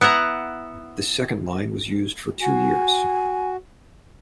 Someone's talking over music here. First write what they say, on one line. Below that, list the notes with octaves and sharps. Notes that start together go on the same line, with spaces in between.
This second line was used for two years.
B3 E4 F#5 A#5
F#4 G#5